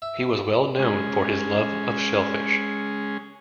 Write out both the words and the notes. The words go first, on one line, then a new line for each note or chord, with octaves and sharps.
He was well known for his love of shellfish.
E5
G#3 C#4 G#4